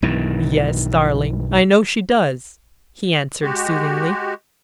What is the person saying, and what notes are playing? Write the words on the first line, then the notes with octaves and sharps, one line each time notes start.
"Yes, darling, I know she does," he answered soothingly.
B1 G2 D#3 E3
G#3 F#4 G4